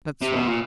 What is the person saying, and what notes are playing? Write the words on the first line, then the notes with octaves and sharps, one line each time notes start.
That's all.'
C3
B2
A#2